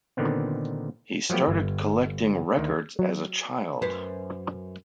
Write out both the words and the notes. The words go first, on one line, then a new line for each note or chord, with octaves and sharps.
He started collecting records as a child.
A#2 D3 D#3 B3 C4
F3 F#3 A3 B3 G4
G1
D2 D#3
F#3
F#2 B4 C5